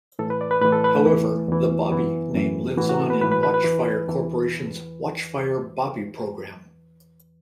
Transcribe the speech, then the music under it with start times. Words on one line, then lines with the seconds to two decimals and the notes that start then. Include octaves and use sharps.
However, the Bobby name lives on in Watchfire Corporation's Watchfire Bobby program.
0.19 A2 E3 A4
0.30 B4
0.41 D5
0.51 B4
0.61 A2 E3 B4
0.72 A4
0.84 B4
0.95 A3
1.06 E2 E3
1.49 E2 E3
1.91 F#2 E3 B3
2.35 F#2 E3
2.78 A2 E3 F#4
2.89 F#4
3.00 A4
3.10 B4
3.21 A2 E3 B4
3.31 B4
3.43 B4
3.54 B4
3.64 E2 E3
4.07 E2 E3